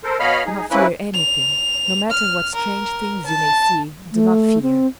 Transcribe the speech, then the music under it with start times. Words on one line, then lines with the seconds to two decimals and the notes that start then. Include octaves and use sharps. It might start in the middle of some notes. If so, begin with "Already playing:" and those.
Do not fear anything. No matter what strange things you may see, do not fear.
0.04 A4 A#4 C5
0.20 B2 C#5 D#5 F5 B5 F6
0.46 D#4 G#4
0.71 A#3 C4 C#4 E4 B4
1.14 F7
2.10 F6
2.54 A#4
3.26 A5
4.12 A3
4.62 C4